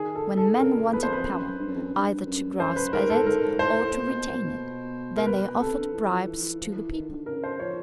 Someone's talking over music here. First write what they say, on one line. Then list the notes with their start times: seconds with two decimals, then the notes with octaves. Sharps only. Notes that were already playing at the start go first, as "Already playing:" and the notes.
When men wanted power, either to grasp at it or to retain it, then they offered bribes to the people.
Already playing: D#3 G#4
0.15 A4
0.37 A4
0.59 C#3 A#4
0.76 A#2
0.92 E2 B4
1.03 C5
1.10 F2 B4
1.26 F#2
1.59 G2
1.68 F#2
1.75 F2
1.82 F#2
1.94 G2
2.26 F#2
2.60 F#2 C5
2.76 B4
2.93 G#2 A#4
3.10 A4
3.26 G#2 A#4
3.59 A2 C5
3.92 A#2
4.09 B2
4.27 A#2
4.43 B2
5.17 A#4
5.26 B2 B4
5.44 B2
5.60 C3 A4
5.77 D3
5.93 E3
6.09 F3
6.26 E3
6.43 E3
6.60 F3
6.76 E3
6.93 D#3
7.10 D3
7.26 C#3 A#4
7.44 C5
7.60 F3 C#5